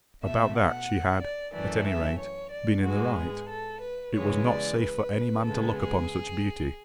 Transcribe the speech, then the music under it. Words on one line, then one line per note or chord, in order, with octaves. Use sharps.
About that she had, at any rate, been in the right--it was not safe for any man to look upon such beauty.
B2 A3 E5
F#5
D5
F#2 E3 A3 D5
E5
C#5
D5
G#2 G#3 B3 F#4
G#4
A4
B4
C#3 E3 G#3 B3 C#5
D5
B4
C#3 G#3 B3 A4
G#4